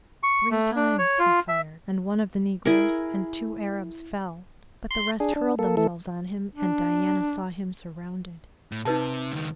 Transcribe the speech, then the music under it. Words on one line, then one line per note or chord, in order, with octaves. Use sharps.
Three times he fired and one of the negroes and two Arabs fell, but the rest hurled themselves on him, and Diana saw him surrounded.
C#6
A3
D4
C#5
F4
E5
E4 G#4 A#4
C6
D4 G#4
D4
A#3 A4
E3 A3 A4
D4
A2
C3 D#4 B4 A5
C#2 D#3